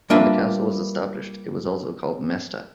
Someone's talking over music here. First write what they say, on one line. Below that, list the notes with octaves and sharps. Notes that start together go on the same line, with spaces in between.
When the council was established, it was also called "mesta".
G3 A#3 D4 F4 B4 E5